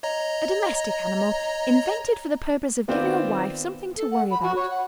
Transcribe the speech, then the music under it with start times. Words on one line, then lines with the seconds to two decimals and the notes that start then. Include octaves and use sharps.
A domestic animal, invented for the purpose of giving a wife something to worry about.
0.03 C#5 D#5 A#5
2.88 D#3 B3 C4 F4 D5
3.97 A4
4.11 F#5
4.31 B5
4.43 F#4
4.56 C#5
4.70 F#5